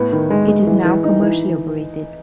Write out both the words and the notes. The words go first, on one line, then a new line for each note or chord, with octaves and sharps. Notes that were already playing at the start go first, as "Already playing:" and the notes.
It is now commercially operated.
Already playing: A2 B3
D#3
G#3
G#3
E3
E3
D#4
E3